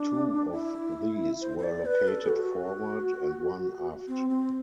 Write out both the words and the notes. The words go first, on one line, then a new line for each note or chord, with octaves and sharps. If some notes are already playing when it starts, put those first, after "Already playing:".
Two of these were located forward and one aft.
Already playing: D4
E4
C5
C5
D5
B4
A4
F#4
C4
C4